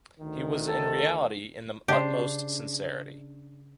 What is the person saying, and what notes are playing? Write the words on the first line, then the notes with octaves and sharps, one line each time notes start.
He was in reality in the utmost sincerity.
D2 D#3
A4
C#3 D4 G4 C5